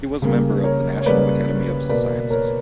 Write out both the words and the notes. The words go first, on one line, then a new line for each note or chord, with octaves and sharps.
He was a member of the National Academy of Sciences.
C#3 G3 A#3
A#4 C#5
C#5
C#3 G3 A#3 B4 D5
B2 A#3 B4 D5
A#4 C#5